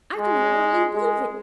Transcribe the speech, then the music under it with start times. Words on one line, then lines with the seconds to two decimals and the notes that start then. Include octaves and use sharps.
I can hardly believe it!
0.17 G#3
0.94 G#3